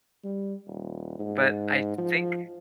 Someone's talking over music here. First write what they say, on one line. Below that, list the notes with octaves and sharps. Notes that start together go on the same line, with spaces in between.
but, I think"
G3
D#1
G#2
F3